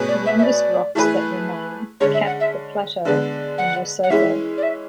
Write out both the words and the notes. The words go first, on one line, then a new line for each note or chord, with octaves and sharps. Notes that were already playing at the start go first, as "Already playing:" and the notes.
The youngest rocks that remain cap the plateau in Lesotho.
Already playing: B2 A3 C#4 G#4 B4
D5
E5
E5
D5
E3 A3 E4 G#4 B4
D3 G#3 C#4 C#5
E5
F#5
E5
D3 G#3 B3 D4
F#5
F#5
E3 G#3 C#4 E4 E5
D5
E5